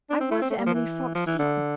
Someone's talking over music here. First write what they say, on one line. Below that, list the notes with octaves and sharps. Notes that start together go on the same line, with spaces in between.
I was Emily Fox-Seton.
D4
C4
A3
C4
A3
G3
F3
E3
F3
E3
D3